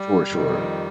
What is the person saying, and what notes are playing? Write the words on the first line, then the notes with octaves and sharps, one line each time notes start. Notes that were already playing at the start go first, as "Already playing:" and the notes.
Sure, sure.
Already playing: G3
F2 D#3